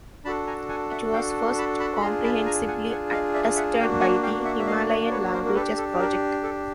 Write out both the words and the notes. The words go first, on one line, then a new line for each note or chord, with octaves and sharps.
It was first comprehensively attested by the Himalayan Languages Project.
D4 F#4 A4 A5 B5
G#5 A#5
F#5 G#5
E5 F#5
F5 G5
A5 B5
A5 B5
B5
D4 F4 G#4 A#5 C6
A5 B5
G#5 A#5
F#5 G#5
F#5 G#5
D#5 F5
D5 E5
E5 F#5
A#3 D4 F#4 F5 G5
F#5 G#5
F5 G5
E5 F#5
E5
D#5 F5
C#5 D#5
D5
B4 C#5
A#4 C5
A#4
D4 G4 A4 B4
A4
A#4
A4